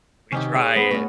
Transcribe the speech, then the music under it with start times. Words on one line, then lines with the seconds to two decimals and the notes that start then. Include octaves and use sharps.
We try it.
0.32 C3 D#3 C#4 D#4 G4
0.55 G#4 C#5
0.76 G#3 B3
0.91 A2 C#4 F#4